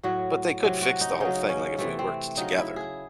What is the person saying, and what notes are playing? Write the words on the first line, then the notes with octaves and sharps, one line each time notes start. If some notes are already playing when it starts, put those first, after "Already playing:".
But, they could fix the whole thing, like if we worked together,
A2 F#3 F#4
C3 F#3
F#4
D#4
C#3 F#3 D#4
C#4
C3 E3 A3
C4
C#3 F#3 D#4
E4
G#4